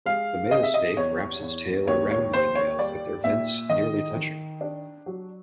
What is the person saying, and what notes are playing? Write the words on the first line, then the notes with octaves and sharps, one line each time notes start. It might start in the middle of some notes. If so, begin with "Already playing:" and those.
The male snake wraps its tail around the female with their vents nearly touching.
G#3 F5
C3 D#5
E5
D#5
E2 C#5
E2
D#2 C#5
C#5
D#2 C5
C#5
G3 D5
A#2 E5
D#3 D#5
D#3
D4
F#3